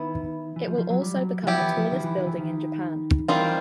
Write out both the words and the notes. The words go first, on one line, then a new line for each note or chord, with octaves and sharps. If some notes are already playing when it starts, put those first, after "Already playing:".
It will also become the tallest building in Japan.
Already playing: D#3 B3 E4
E3
F3
F3
F#3
G3
F#3
E3
F3 B3 E4 G4
E3
F3
D#3
F3
E3
D#3
E3
D#3
D#3 E3 G3 C4 F4